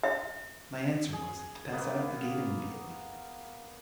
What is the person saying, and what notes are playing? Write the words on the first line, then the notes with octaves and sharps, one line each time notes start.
My answer was, to pass out at the gate immediately.
E5
G#4
A#3 B3 F5